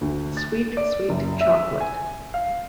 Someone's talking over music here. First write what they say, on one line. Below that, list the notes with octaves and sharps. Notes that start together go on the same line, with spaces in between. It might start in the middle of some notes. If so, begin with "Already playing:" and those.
Sweet, sweet chocolate.
D2
A6
D5
F#1
E5
G#5
F5